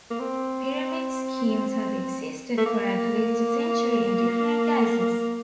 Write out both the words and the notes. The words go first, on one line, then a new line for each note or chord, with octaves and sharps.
Pyramid schemes have existed for at least a century in different guises.
A#3
C4
A3
A#3